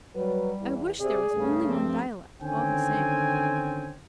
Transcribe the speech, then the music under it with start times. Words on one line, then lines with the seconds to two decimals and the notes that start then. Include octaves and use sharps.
I wish there was only one dialect all the same.
0.15 F#3 G3 B4
0.61 E2 E3
1.00 C3 G#4 D5
1.33 G2 C#3 A3
1.67 F3 C4
2.42 D3 D#3 C4 C#4 G5 G#5